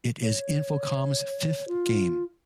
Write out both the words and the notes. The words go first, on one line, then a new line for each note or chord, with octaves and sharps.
It is Infocom's fifth game.
C#5
F4